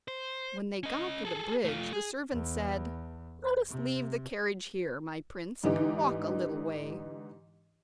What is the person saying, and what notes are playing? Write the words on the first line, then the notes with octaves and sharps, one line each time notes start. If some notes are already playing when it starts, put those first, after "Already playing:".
When they got to the bridge the servant said: 'Let us leave the carriage here, my prince, and walk a little way.
C5
C#4 D#5
G#4 A4
A3 F4
G#4
E2
C3
G#2 D3 E3 D#4 G4